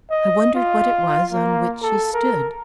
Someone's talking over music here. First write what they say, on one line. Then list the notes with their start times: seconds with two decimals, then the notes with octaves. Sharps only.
I wondered what it was on which she stood.
0.11 D#5
0.55 F4
1.32 A#3
1.82 A4
2.13 A#4